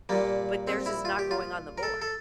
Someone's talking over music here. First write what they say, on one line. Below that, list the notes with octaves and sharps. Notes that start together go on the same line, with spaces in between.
but theirs is not going on the board.
A#2 G3 A#3
C4
E4
F4
G4
F4
A#4
A4
A4